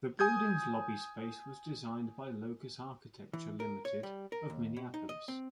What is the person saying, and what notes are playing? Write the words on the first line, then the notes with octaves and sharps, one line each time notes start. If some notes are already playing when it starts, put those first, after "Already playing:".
The building's lobby space was designed by Locus Architecture, Limited, of Minneapolis.
G#5 D#6 G6 G#6
E3
A#4
C#5
G3
A#4
D#2
B2
D#4
D#5
C4